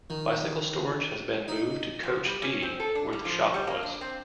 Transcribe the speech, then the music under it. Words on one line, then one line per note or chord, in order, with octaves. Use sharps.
Bicycle storage has been moved to coach D where the shop was.
D#3
D#4
F3
G3
C#4
C4
A4
D4
G3
F3
G3
A#3
D4
C4